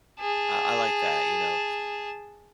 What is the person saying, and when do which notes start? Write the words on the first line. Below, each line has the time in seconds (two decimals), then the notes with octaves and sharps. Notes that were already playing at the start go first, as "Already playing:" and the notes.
I I like that, you know,
0.20 G#4 A5